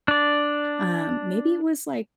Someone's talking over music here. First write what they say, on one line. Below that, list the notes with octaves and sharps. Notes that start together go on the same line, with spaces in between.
Um, maybe it was, like,
D4 D5